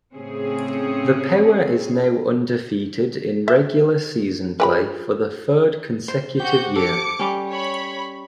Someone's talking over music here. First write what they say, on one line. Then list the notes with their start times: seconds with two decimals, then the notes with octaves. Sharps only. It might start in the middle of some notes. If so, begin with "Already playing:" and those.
The Power is now undefeated in regular season play for the third consecutive year.
0.14 A2 C#3 C4 C#4 G#4
3.48 E5
4.60 F4 G#4 B4 G5 B5
6.08 C5
6.40 F#4 G4 G6
6.76 A4 D6 C#7
7.19 G3 C#4
7.51 C#5 B5